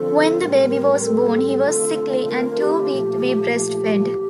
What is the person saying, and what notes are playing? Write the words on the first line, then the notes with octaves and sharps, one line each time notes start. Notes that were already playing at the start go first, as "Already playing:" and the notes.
When the baby was born, he was sickly and too weak to be breastfed.
Already playing: D3 F3 C4 A4
A2 G3 C4 A#4
A4
D3 A3 C4 F4 A4
A#4
G4
A#2 F3 A3
G4